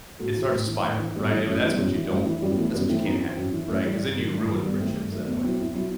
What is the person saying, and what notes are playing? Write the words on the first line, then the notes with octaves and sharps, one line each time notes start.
it starts to spiral, right, anyway, that's what you don't that's what you can't have, right, 'cause then you ruin friendships that way,
A2 F#4 A4
E3
A2
E3
A2
E3
A2 G3 B3
A3
E3 G3
F#2 A3
A3
E3 G3 B3
F#2
E3
G3
F#2 A3
E3
F#2 G3
B3
E3 A3
F#2 G3 B3
E3 A3 C4
F#2 B3 D#4
E3 C4 E4
F#2
E3
F#2 A3
E3 G3
G2
D#3 F#3
G2 A3
D#3 F#3
G2 G3 B3
D#3 F#3 A3 C4
G2 A3
D#3 F#3 A3
E2 A3 C4
B2 F#3 C4 E4
E2 C4 E4
B2 F#3 C4 E4